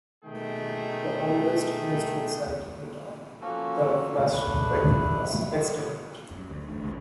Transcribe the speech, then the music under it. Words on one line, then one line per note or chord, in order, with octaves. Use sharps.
The oldest industrial site in the town, the flass factory was extended.
B2 D#3 A3 G#4 G5
F3 A#3 C#4 F#4 A4
E2 A3 D4 E4 B4
D3
F#2
D2
G#1 E2 A3 D4
G1 C#2 G#2 C#3